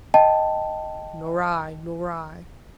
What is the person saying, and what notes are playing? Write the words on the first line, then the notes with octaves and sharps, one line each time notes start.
"Nor I,--nor I."
D#5 G5 A5